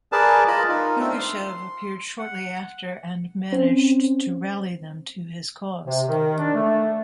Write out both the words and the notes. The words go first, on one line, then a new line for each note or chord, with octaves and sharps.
Pugachev appeared shortly after and managed to rally them to his cause.
G#4 A#4 B4 D5 A5
F4 A#4 D#5 A5 B5
D#4 F4 A#4
A3 C4 D4 A4
C6
F#5
C4 C#4 C5
C3
D#3
D4
A3